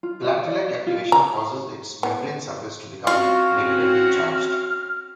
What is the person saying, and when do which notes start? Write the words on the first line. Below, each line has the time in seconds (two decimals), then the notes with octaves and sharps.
Platelet activation causes its membrane surface to become negatively charged.
0.03 F4
0.24 D#5
0.48 D5
0.87 F4
1.12 A#5
2.03 B3
3.07 C4 C#4 F4 F#4 F5 C#6 F6